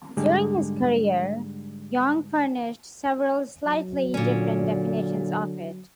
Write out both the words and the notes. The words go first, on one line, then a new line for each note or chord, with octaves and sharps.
During his career, Jung furnished several slightly different definitions of it.
G#2 D3 G3 G#3
F#3
A#2 D3 C#4